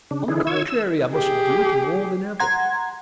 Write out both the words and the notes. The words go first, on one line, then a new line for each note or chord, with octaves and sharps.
On the contrary, I must do it more than ever.
C#3 D4
D3 E3 D#4 E4 G#4
D#3 C#5 E6 G#6
E6
G4 G#4
F#5 A#5 C6 G#6